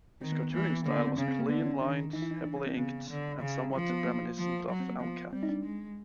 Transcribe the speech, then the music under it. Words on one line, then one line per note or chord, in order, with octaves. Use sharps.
His cartooning style was clean lined, heavily inked, and somewhat reminiscent of Al Capp.
D#3 C4
B3
B3
E3 A#3
B3
D3 A#3
B3
C4
C#3 C#4
C4
A#3
D3 B3
C#4
D#3 D4
E3 D#4
E4
D#4
D4
C#4
C4
C#3 B3
D3
C#3
F3
B3
A#3
F3
F#3
C4
A#3
F3 B3
G3 C4
D#4
D4
G#3